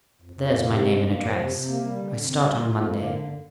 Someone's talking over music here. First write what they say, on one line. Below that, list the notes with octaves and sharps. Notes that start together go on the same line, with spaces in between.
There's my name and address; I start on Monday.'
F2
F2
A#3
C3
G2
G2
A#3
F3
C3
C3
A#3
G3
D3
D3
C4
G3
F4
F2
A#3
D3
G2